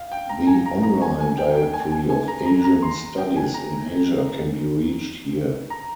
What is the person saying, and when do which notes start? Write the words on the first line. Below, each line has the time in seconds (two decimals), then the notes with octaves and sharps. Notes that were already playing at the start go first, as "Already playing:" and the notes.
The online Directory of Asian Studies in Asia can be reached here.
Already playing: F5
0.12 G5
0.29 A#5
0.47 G#5
0.66 A#5
0.83 A#5
1.01 G#5
1.20 G#5
1.38 G5
1.55 G5
1.73 G#5
1.92 G#5
2.10 G#5
2.28 A#5
2.46 A#5
2.64 A#5
2.82 C6
3.18 G5
3.36 G#5
3.54 A#5
5.70 A#5